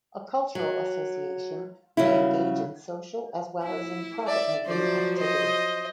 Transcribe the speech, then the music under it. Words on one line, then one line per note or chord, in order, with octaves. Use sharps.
A cultural association may engage in social as well as in profit-making activity.
F#3
C#3 F#3 G3 E4
E4
D5 E5
F3 F#3 C5 D5
C5 D#5